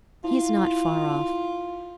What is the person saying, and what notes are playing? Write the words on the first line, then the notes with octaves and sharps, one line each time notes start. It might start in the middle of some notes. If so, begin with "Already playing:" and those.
He is not far off....
E4 F4